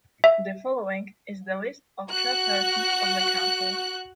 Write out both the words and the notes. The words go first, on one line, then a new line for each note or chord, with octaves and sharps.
The following is the list of Chairpersons of the Council.
E5
F#4 F#6